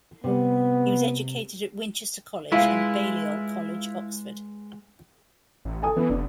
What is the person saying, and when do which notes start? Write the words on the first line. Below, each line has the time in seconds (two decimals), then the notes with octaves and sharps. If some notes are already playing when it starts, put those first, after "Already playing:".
He was educated at Winchester College and Balliol College, Oxford.
0.24 C3 G3 B3
2.52 G#3 E4 F4 B4
5.65 A1
5.83 A4 G#5 D#6
5.97 E3 B3
6.10 F1 D4